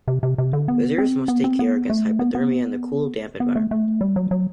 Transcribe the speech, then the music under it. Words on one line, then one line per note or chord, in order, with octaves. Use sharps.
Visitors must take care against hypothermia in the cool, damp environment.
C3
C3
C3
D3
B3
C4
B3
C4
B3
A3
B3
B3
B3
A3
A3
G3
F#3
F#3